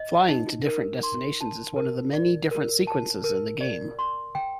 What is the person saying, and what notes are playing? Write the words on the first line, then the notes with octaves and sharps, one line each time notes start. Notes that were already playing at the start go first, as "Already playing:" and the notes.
Flying to different destinations is one of the many different sequences in the game.
Already playing: D#5
D#4
A#4
C6
A5
A#4
D5
A#4
A5
A#4
D5
C6
G5